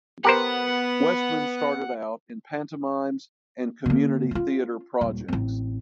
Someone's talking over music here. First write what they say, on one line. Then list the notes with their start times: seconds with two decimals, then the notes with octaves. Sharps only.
Westman started out in pantomimes and community theatre projects.
0.24 B3 G4 A#4 C5 F#5
3.86 D3 A#3
4.31 C#4 F4
5.01 D#1
5.28 A1 C4